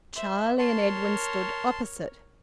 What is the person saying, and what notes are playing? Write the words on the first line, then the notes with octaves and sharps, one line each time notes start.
Charlie and Edwin stood opposite.
C5 E5
A#4 C#5 A5 C6